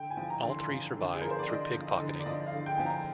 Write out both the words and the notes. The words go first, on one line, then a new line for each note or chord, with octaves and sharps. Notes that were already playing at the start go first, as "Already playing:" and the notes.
All three survive through pickpocketing.
Already playing: D3 G5
G#5
F3
A#5
D3
C6
F3
D3
G#4
F3 A#4
C5
D5
D3 D#5
F3
D#5
D3
D5
F3 D#5
F5
D3
G5
F3 G#5
A#5